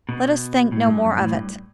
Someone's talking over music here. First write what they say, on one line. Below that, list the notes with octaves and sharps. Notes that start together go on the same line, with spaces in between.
Let us think no more of it.
B2
A2
G2
F#2
A2
G2